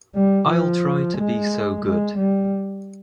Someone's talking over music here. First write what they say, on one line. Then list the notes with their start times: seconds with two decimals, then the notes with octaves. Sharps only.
I’ll try to be so good.
0.15 G3
0.48 F3
1.17 G#3
1.85 G#3
2.18 G3